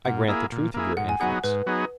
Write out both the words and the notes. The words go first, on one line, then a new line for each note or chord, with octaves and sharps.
I grant the truth of your inference.
A#2 F#5
A#3 E4 G#4
A#2
A#3 E4 G#4
G#2 F#5
G#5
F#3 B3 D#4 G#4 F#5
G#2 B4
F#3 B3 D#4 G#4